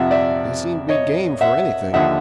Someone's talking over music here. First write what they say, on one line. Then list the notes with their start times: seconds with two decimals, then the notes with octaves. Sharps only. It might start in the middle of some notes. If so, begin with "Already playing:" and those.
They seem to be game for anything.
Already playing: F2 C3 F3 E5 F#5
0.11 D5 E5
0.89 C#5 D#5
1.41 E5 F#5
1.93 D#2 D3 F3 E5 F#5